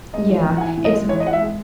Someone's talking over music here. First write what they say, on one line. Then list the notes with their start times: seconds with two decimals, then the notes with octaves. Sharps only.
Yeah. It's i
0.14 G#3 D#5
0.29 E3
0.46 A2
0.57 F#5
0.61 E3 G#5
0.77 A2
0.85 D#5
0.93 G#3
1.09 E3 C#5
1.20 D#5
1.26 G#3 F#5
1.33 E5
1.41 G#3